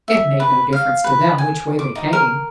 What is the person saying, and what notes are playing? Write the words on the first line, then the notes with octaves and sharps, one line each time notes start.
It made no difference to them which way they came.
E5
B4
F5
B4
G#5
D6
D#4
A#4